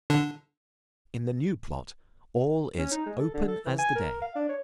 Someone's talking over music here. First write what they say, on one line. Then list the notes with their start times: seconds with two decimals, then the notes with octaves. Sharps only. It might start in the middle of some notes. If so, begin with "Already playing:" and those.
In the new plot all is open as the day.
0.10 D3 D4
2.78 C#4
2.91 D#4
3.06 G#3
3.19 A4
3.34 D3
3.47 A4
3.65 E3
3.79 G#5
3.95 A#4
4.22 F5
4.36 D4
4.49 C#5